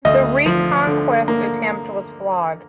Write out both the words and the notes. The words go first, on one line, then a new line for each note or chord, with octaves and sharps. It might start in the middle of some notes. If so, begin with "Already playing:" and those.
The reconquest attempt was flawed.
D2 D#5
F3
D3
A#3